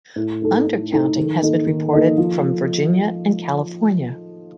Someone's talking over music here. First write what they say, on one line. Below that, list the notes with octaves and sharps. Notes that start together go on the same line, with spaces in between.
Undercounting has been reported from Virginia and California.
A2
A3 D#4 A4
A2
A3 D#4 A4
D#3
A#3 D#4 A4 D#5
D#3
A#3 D#4 A4 D#5
F3